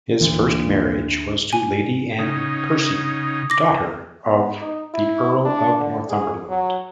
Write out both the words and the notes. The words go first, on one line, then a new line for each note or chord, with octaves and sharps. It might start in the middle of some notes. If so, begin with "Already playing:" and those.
His first marriage was to Lady Anne Percy, daughter of the Earl of Northumberland.
D2 A#2 E3
G#5
C#3 D#4
D6 A#6
B3
D#4
E4
D4
D3
G#4
F#3